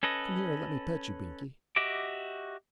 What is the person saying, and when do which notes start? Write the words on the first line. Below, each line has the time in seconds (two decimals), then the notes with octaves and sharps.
Come here and let me pet you, Binkie.'
0.03 C#4 A4 B4 D#5
1.76 F#4 G4 D#5 E5 D6